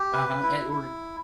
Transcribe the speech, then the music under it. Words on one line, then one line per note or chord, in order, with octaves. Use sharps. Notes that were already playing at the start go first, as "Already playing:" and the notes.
Uh-huh, and or
Already playing: G4
B4
E4
E4